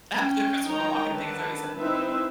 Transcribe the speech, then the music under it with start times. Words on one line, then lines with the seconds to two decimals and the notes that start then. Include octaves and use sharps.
Uh, the Christopher Walken thing, is that what you said?
0.15 C#4 G5
0.65 D#3 D#4 C#5 D#5 G5 A#5
1.10 D3 D#3 B4 A5
1.77 C4 D#4 E4 B4 C5 E5